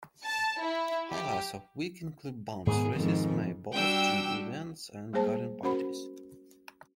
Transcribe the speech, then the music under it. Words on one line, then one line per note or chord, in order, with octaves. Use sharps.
Highlights of the week include Bumps races, May Balls, June Events and garden parties.
A5
E4
G4
G#2 D#3 B3 G#4
F2 G#2 D#3
G3 D4 F#4 G5 E6
G3 G#3 A#3 G#4 C5 A5
C#4 F#4 A#4 C5 F#5 B5